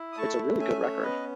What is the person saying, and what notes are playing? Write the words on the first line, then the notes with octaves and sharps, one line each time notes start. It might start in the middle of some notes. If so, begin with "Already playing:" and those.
It's a really good record.
Already playing: E4
D#6
A3 A5 C#6
C#4 E5 G#5
C#5 E5
B3 B4 D#5